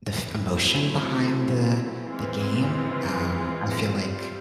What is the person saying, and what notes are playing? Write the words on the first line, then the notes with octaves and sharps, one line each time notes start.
the f emotion behind the the game. Um, I feel like,
F#3 A3 C4 E4
E3 G#3 C4 F4
G3 C4 F4